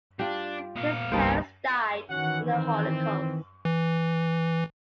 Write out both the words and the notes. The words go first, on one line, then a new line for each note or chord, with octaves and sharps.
His parents died in the Holocaust.
G3 D4 F4 G4
A#2 B3 F5
G1 C2 G3 A#3 D#4 C5 A5
D#3 E3 C#4 F#4 F#5
C4
E3